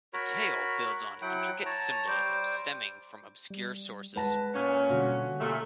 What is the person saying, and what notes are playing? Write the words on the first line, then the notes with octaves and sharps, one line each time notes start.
The tale builds on intricate symbolism stemming from obscure sources.
F#4 A#4 C#5 B5
F#3 E4 F#5 G5
C#5 A5 A#5
G3 C5 D6
G3
G#3 B4 F#5 A5 A#6
A#2 C#4 C#5
B2 D3 G3 F#4
A#2 A3 G4 A4 E5